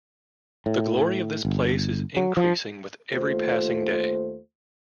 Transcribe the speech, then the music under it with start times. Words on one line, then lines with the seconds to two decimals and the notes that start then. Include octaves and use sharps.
The glory of this place is increasing with every passing day.
0.66 A2
1.45 G1
2.17 F#3
2.37 F3
3.13 D#2 A3 F4 C5